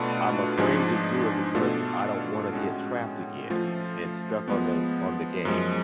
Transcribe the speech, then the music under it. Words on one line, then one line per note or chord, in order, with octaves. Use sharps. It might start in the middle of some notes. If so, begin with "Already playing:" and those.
I'm afraid to do it because I don't wanna get trapped again and stuck on the on the game.
Already playing: B2 A3 D4 F4 B4
G#2 F3 G#3 D4 G#4
B2 A3 D4 F4 A4
A2 G#3 C#4 F#4
F3 A3 F4
F3 G#3 B3
F#2 F3 G#3